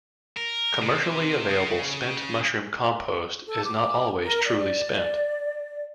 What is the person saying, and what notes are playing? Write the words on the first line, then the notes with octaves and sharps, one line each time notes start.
Commercially available 'spent' mushroom compost is not always truly spent.
A#4
C3
C#3
A4
D6
A#4
D5